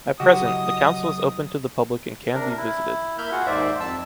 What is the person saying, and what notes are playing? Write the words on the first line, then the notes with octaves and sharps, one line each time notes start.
At present, the Council is open to the public and can be visited.
C#3 F#3 E4 F#4 G4 D#5 D#6
C3 D4 A#4
E4
A#3 E5 B5 F6 G6
F4 F#4 G#4 F#5
D#2 G#2 C5 D5 E5
F2 A5 E6